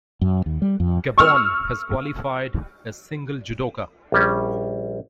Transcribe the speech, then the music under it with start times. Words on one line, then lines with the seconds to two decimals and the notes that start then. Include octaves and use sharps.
Gabon has qualified a single judoka.
0.21 F#2
0.46 D#2
0.62 G3
0.80 F2
1.18 C#6 E6 F6
4.12 A#1 G3 C#4